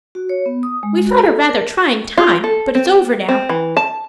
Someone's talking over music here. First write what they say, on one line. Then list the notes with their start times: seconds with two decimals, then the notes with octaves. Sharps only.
We've had a rather trying time but it's over now.
0.15 F#4
0.29 C#5
0.46 B3
0.63 D#6
0.83 G#3
1.05 F#4
1.24 A4
1.38 D6
1.50 A#4
2.18 F4
2.44 A4
2.75 C4
3.29 C4
3.49 E3
3.77 A5